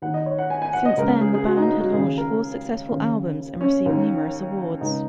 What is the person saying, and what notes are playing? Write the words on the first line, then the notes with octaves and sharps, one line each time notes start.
Since then, the band had launched four successful albums, and received numerous awards.
D#2 D#3 F#5
D#5
C#5
F#5
G#5
G#5
F#5
D#5
C#2 C#3 A#4
G#4
G#4
F#4
D#4
D#4
F#4
D#2 C#3 G#4
A#4
D#2 C#3
C#4
D#2 D#3
C#2 C#3 D#4